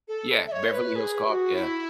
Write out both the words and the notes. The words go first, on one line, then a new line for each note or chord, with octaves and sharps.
Yeah, Beverly Hills Cop, yeah.
A4
E5
C#5
C#5
B4
G#4
G#4
F#4
E4